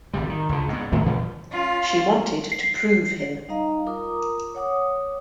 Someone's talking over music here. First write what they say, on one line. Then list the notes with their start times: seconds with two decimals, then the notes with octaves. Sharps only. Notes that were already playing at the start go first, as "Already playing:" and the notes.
She wanted to prove him.
0.14 G#1 C3 G3
0.29 D#3
0.49 C#2 D3
0.68 G#2 B3
0.92 A2 D#3 A3 A#3
1.06 A#2 E3 F3 G3
1.49 C#4 F4
2.52 C7
3.49 G3 D#4 D#5 F5 A#5
3.86 F4 A#4 A#5 D6 D#6
4.55 C#5 F#5 D6 D#6